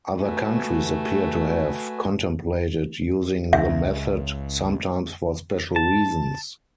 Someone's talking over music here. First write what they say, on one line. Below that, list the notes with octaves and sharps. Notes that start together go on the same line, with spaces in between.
Other countries appear to have contemplated using the method, sometimes for special reasons.
A3 F#4 B4 G#5
C#2 E5
A5